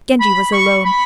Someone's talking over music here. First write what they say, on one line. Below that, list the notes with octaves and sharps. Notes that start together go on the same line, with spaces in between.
Genji was alone.
B5
C#6
B5